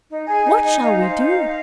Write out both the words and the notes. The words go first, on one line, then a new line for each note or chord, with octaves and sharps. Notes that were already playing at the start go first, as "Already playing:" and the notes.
What shall we do?
D#4
G#4 G#5
D#4
D#4
D#4 F5
C5
D#4
D#4